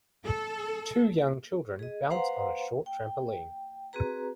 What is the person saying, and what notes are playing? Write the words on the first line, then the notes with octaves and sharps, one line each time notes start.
Two young children Bounce on a short trampoline.
A4
G#4 D#5
B4 C5 F5 F#5 A#5 C6
G5
C4 F#4 G#4 B4 A#5